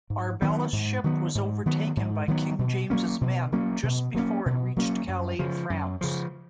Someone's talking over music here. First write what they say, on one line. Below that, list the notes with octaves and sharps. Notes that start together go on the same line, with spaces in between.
Arbella's ship was overtaken by King James's men just before it reached Calais, France.
G#2
D#3 F#3 B3
G#2
D#3 F#3 B3
G#2
D#3 F#3 B3
G#2
D#3 F#3 B3
B2
F#3 A#3 C#4
B2
F#3 A#3 C#4
B2
F#3 A#3 C#4
B2
F#3 A#3 C#4
F#2
C#3 F3
F#2
C#3 F3